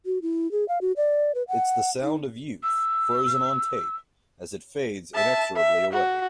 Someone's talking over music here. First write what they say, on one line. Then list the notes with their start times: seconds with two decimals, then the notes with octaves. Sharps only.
It's the sound of youth, frozen on tape, as it fades inexorably away.
0.06 F#4
0.22 E4
0.52 G#4
0.68 F5
0.81 F#4
0.97 D5
1.35 B4
1.48 F#5
2.03 D#4
2.62 E6
5.15 E5 A5
5.56 E5
5.93 F#4